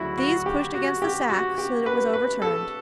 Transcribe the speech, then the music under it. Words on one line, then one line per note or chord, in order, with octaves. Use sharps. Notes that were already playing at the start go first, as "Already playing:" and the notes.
These pushed against the sack so that it was overturned.
Already playing: D2 C#3 F#3 E4 F#4
F#4
G4
F#4
G4
F#4
G4
B4
B4
A4